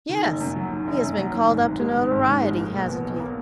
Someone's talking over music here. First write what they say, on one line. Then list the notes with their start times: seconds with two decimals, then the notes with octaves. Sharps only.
'Yes; he has been called up to notoriety, hasn't he?
0.09 D#3
0.25 F#1
0.41 F#2
0.56 F#3
0.72 D#3
0.87 F#1
1.02 F#2
1.18 F#3
1.34 D#3
1.49 G#1
1.65 G#2
1.80 G#3
1.96 D#3
2.11 G#1
2.27 G#2
2.42 G#3
2.58 A#3
2.74 B1
2.88 B2
3.05 B1
3.20 A#3